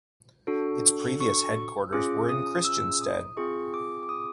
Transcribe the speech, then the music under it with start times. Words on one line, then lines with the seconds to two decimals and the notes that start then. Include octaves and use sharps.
Its previous headquarters were in Christiansted.
0.47 D4 F#4 A4
1.20 C#6
1.93 C#4 F4 G#4 D6
2.29 D#6
2.64 E6
3.02 D#6
3.37 C4 F4 G#4 C#6
3.74 D6
4.03 D6
4.09 D#6